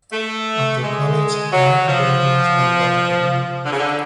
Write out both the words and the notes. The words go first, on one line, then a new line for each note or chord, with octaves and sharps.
After college, Clark broke into stand-up comedy.
A3
G#3
F#3
F3
D3
C#3
D3